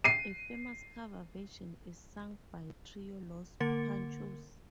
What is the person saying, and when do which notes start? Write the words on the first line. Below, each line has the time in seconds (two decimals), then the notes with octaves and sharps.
A famous cover version is sung by Trio Los Panchos.
0.04 C7 D#7
3.60 D3 A#3 A#4 A6 C#7